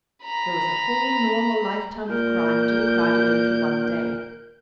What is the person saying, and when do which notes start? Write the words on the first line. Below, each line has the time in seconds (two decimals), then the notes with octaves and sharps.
There was a whole normal lifetime of crime to be crowded into one day.
0.24 A#5 B5
2.09 A#2 A#4 G6